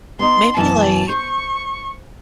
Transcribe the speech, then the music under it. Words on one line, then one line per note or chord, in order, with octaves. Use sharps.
Maybe, like
B3 D4 D#4 C6
F#2 B2 E3 A5
C5 C#6